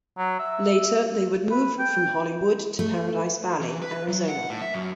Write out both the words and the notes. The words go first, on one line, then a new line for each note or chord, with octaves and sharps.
Later, they would move from Hollywood to Paradise Valley, Arizona.
F#3
E5
B4
G5
A3
E3
B4
F#3
F#5
A2
E5
F#2